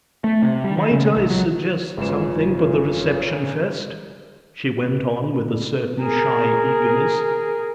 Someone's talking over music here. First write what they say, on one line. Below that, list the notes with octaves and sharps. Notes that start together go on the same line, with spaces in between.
"Might I suggest something for the Reception Fest?" she went on, with a certain shy eagerness.
A3
C3
G3
D#3
C#3
B1
F#3
F#1 G#2 C#3 F4 B4 E7
G#4 A#4